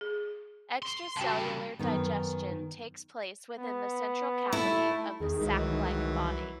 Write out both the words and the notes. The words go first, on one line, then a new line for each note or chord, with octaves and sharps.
Extracellular digestion takes place within the central cavity of the sac-like body.
G#4
C6
C#3 G3 F#4 G5 A5
F#2 D#3 B3
B3
A3 E4
E2 D#3 G#4
C2 E3 F#3 G#3